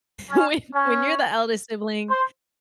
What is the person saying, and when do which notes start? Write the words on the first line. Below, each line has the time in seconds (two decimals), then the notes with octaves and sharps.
When when you're the eldest sibling,
0.31 C#4
0.76 C#4
2.10 C5